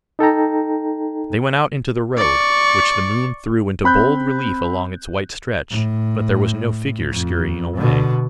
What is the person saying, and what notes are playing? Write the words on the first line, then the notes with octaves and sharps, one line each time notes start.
They went out into the road, which the moon threw into bold relief along its white stretch, but there was no figure scurrying away.
D#4 A4 G5 A#5
D5 C#6
C4 B5 F#6 G6
A2
F2
B2 D3